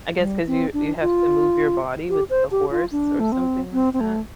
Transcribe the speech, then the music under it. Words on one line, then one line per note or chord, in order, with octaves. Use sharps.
I guess 'cause you you have to move your body with a horse or something like that.
G3
C4
D4
F4
G4
C5
G4
F4
D4
A3
C4
C4
C4
A3